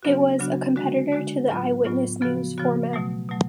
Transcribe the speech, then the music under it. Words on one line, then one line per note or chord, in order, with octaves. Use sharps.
It was a competitor to the "Eyewitness News" format.
C#3 F#3 B3 D4 F#4
C#3 F#3 B3 D4 F#4
D3 G#3 D4 F#4
D3 G#3 D4 F#4
A2 F#3 B3 F4
A2 F#3 B3 F4
C#3 F3 B3 F#4
C#3 F3 B3 F#4
B2 F#3 A3
B2 F#3 A3